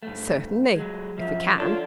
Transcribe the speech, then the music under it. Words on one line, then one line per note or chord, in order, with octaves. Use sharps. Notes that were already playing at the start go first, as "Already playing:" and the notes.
"Certainly--if we can."
G2 A3
F#3 G#3
F#2 F3 E5
D4 F4 A4 C#5 D5